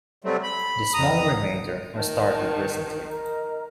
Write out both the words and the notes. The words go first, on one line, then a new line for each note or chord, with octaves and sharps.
The small remainder were started recently.
C3 F#3 G3 A3 C4
B5
F2 A#5 D#6
D#3 D#5 A5
A#4 D#5 A#5